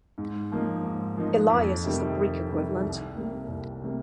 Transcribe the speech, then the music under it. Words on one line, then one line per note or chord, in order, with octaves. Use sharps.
Elias is the Greek equivalent.
G#2
F3 A#3 D#4
G#2
F3 A#3 D#4
F2
C3 D#3 G3
F2
C3 D#3 G3
C2
C3 G3 A#3
C2
C3 G3 A#3